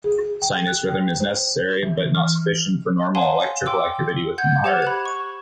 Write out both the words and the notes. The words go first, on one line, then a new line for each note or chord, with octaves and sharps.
Sinus rhythm is necessary, but not sufficient, for normal electrical activity within the heart.
G#4
G5
F#6
G5
C5
E3
F6
C#5 F5 F#5 G#5 A5 C6
G5 C6 D6 E6
F#5 G6 G#6
G4 C5 F#5 G#6 F7
B5 F#6 G#6
C#6